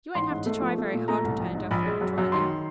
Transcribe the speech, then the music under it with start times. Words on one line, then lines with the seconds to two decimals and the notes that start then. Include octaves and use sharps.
"You won't have to try very hard," returned Elfreda dryly.
0.15 A1 C6
0.30 G#2
0.46 A3
0.62 F3
0.78 A3
0.93 A#2
1.08 A3 A#5
1.24 C2
1.40 A#1
1.55 G#2
1.71 A#1 B5
1.87 G#3
2.01 F#2
2.18 F#2
2.32 D#3 C6